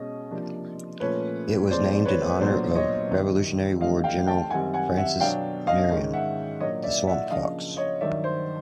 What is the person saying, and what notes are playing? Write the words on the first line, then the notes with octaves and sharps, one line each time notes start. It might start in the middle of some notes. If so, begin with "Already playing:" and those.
It was named in honor of Revolutionary War General Francis Marion, the "Swamp Fox".
Already playing: B2 G#3 C#4 D#5
C3 F3 A#3 D4
A#2 F3 A3 C#4 B4 C#5
A#2 F3 G#3 C4 C5 D5
B4 C#5
A#2 F#3 B3 D4 C5 D5
C#5 D#5
F#2 D#3 G3
C3 E3 A3 D4 D#5 F5
F5 G5
G5 A5
F#2 D#3 G3 C4 F#5 G#5
F#5 G#5
E5 F#5
B2 F#3 B3 D4 F5 G5
D#5 F5
G#2 D#3 G#3 C#4
E5 F#5
A#2 F#3 A#3 D4 C#5 D#5
D5 E5
E5 F#5
C#3 F3 A#3 D4 D#5 F5
C#5 D#5
G2 D#3 F#3 D5 E5
C5